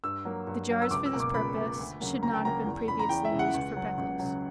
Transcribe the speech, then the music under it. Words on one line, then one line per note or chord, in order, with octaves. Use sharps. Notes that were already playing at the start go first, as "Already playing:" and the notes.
The jars for this purpose should not have been previously used for pickles.
G2 E6
F#3 A#3
G2
F#3 A#3
E6
C#2 D6
E6
B2 A#3
D6
C#2 B5
B2 A#3
D2
C#3 F#3 A#3
D2 A#5
G5
C#3 F#3 A#3 A#5
E2
C#3 E3 B5
A#5
E2 G5
E5
C#3 E3
F#5
C#2
C#3 F#3
C#2
C#3 F#3